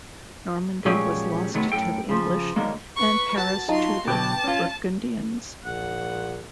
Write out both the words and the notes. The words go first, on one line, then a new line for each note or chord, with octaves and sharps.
Normandy was lost to the English and Paris to the Burgundians.
A#2 F3 F#3 G#3 C#4 G4
C3 D#3 F#3 A3 B3
F#2 A2 A4 G5
C#3 F3
D3 D#3 F#3 G#3 A#3
B4 C#6
F#4 A5
F#3 D#4 F4 F#4 A5 C6
B2 D3 F#3 B4 G5 A5 D6
C#4 F4
A#1 F#5